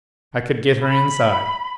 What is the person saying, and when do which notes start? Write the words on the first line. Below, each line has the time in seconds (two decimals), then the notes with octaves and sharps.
I could get her inside.
0.82 B5